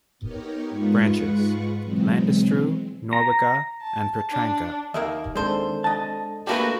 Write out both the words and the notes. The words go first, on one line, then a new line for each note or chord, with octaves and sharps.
Branches: Landestreu, Nowica, and Petranka.
B3 D#4 G4 A#4 C#5
G#2 G#3 F4 B4 F#5 C#6
B2 E3 F#3 G#3 C4
A#5
A5
D4
D#2 A#3 A#4 D#5 E5
G#3 C4 D4 A4 C5
D#5 A5
A3 A#3 D4 E4 F#4 G4 B4